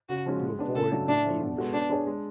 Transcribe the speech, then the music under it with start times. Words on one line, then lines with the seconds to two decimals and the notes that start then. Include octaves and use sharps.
"To avoid being shot."
0.09 C#3 F#4
0.26 F3 G#3 C#4 F#4
0.42 G#3
0.59 B3 D4
0.75 C#3 A4
0.92 F#3 A3 D4
1.08 A2 D4
1.25 F3 A3
1.41 B2
1.57 G#3 B3 F#4 A4
1.73 B3 D4
1.91 D4 G#4 C#5
2.07 G#3